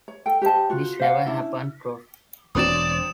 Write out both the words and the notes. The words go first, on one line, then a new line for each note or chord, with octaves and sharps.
This never happened though.
C#5
A4 G5
G4 C5 D#5 A5
F4 F#4
C5 F5 F#5
C#4 D4 E4
E1 F#3 C4 D4 D5 D#6 E7